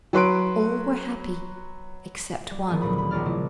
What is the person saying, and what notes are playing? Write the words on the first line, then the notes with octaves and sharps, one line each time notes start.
All were happy except one.
F#3 B4 C6 D7
G3
D#3 F3 G#3 B3 G#4
D2 A#2 F#3 B5 D#6
B5
A#1 G#3 C#4 D#4 D5 F6
C#3 G#3 E4